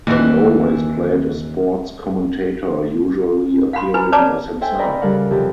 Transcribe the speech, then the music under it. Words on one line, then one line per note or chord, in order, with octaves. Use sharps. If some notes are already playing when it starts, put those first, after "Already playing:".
He always played a sports commentator, usually appearing as himself.
D#2 E3
F5 F#5 B5 C6
E4 B4 G#5 B5
B4 C#5 D5 A5 A#5 D6
A4 C5 E5 G5 G#5
D5 D#5 F5 A#5 B5
C#3 G3 A4 A#4 F5 F#5
F2 C3 E3 G4 A4